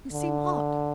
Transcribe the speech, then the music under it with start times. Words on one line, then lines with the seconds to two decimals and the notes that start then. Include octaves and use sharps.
"You seem hot."
0.12 D3